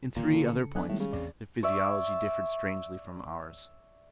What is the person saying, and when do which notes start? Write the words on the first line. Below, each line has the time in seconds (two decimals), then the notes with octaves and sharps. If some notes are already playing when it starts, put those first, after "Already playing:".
In three other points their physiology differed strangely from ours.
0.16 D1 A#2 D3 E3
0.33 C#3 A4 C#7
0.75 D3 F#3 B3 D#5 G#5 F#6
0.89 A2 D#3 G3 G#3
1.00 C#3
1.13 A1 E2 C4 D5
1.63 C#5 D5 E5